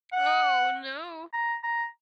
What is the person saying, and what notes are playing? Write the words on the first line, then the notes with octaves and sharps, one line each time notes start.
Oh, no.
F#5
A#5
A#5